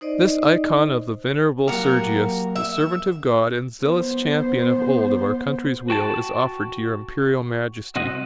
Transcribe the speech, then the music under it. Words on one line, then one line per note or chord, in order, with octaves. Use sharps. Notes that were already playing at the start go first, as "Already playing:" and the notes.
This icon of the Venerable Sergius, the servant of God and zealous champion of old of our country's weal, is offered to Your Imperial Majesty.
D#4 C5 D5 D#5
F#3 A#3 F#4 G4 A#4
E5
B3 C5
F#4 G5 A5
C2 C4 F#4 D#5